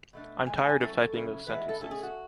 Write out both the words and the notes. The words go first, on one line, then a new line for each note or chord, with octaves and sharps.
I'm tired of typing those sentences.
B2 A3 D4
A2 E3 G#3 G#5
G#5
G#5
F#3 C#4 E4 A4
C#3 F#3 C#4 E4
A2 E3 G#3 B3 E4 B4
A4
B2 A3 C#4 A4
G#4
F#4